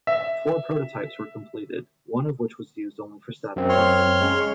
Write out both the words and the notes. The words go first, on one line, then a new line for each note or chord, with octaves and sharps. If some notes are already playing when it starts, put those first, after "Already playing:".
Four prototypes were completed, one of which was used only for static testing.
E5
F#2 C4
C#5 C6 F6
G#3 C#4